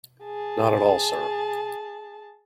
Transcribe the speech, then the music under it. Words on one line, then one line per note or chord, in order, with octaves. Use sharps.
Not at all, sir.
G#4 A5